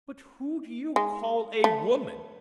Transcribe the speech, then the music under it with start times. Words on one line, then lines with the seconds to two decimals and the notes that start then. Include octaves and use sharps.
'But who do you call a woman?
0.96 G#3
1.64 A3